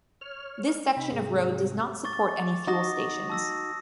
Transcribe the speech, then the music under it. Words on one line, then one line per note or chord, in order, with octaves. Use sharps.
This section of road does not support any fuel stations.
C#5 F6
C3 D#4 B5
G#2 C3 G#4
C#6 D6 A6
D#4 F#4 C#6 D#6 A#6
A5 E6 A#6